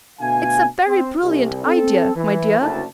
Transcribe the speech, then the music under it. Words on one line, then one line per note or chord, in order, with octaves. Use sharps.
It's a very brilliant idea, my dear!
D2 B2 A3 F5 G#5
C4
C2
C4 A4
E3
F#1 D2 A2 A5